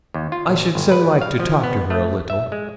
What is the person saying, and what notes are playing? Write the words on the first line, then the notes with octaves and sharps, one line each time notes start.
I should so like to talk to her a little.'
D#2
F4
A#1
G1
B4
F5
F3
B3
A3
E5
G#3